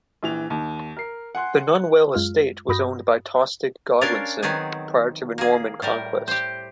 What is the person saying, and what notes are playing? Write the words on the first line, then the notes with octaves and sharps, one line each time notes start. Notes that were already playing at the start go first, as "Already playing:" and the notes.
The Nunwell Estate was owned by Tostig Godwinsson prior to the Norman Conquest.
A#1 E3 F7
D#2
A#4 C7
F#5 G#5 C6 F#6
F#2 G#3 F4 F6
G2 F#4 B5 D#6 G6 A#6
C#4 D4 F4 A#4 F5
D#3 F#3 B3 C4 G#4
A#3 G#4
A2 G3 A#4
G4 C5